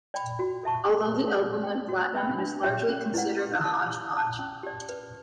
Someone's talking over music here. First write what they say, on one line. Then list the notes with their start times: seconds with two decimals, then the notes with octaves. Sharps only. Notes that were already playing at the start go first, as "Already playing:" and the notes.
Although the album went Platinum it is largely considered a hodgepodge.
0.14 D5 G5 B5
0.39 F#4
0.63 A4 E5 A5 C#6
0.89 C#4
1.14 G4 B4
1.39 B4
1.63 D5 G5
1.88 F#4
2.14 B4 E5 G5 B5
2.38 D4
2.63 G4 C#5 E5 G5
2.89 C#4
3.14 E4 B4 D5 F#5
3.39 G4
3.64 D5 A5
3.89 G4
4.14 D5 A5
4.39 C#4
4.63 G4 D5
4.89 B4